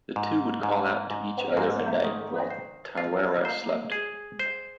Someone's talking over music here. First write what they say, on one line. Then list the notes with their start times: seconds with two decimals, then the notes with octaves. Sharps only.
The two would call out to each other at night while Tarawera slept.
0.16 G#2
0.63 G#2
1.11 G#2
1.57 G#2
2.04 D#3
2.50 C5
2.97 F4
3.45 C5
3.92 G#4
4.39 C5